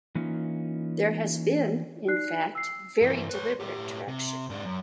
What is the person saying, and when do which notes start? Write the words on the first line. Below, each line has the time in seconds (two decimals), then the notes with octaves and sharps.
There has been, in fact, very deliberate direction.
0.15 E3 A#3 C#4 D#4 F4
2.08 D#4 D5 F#6 C7
2.55 E6 C7
3.02 G2 E3
3.29 B4 C#5
3.60 A2 G4
4.08 C3
4.50 G#2 D4
4.65 F#2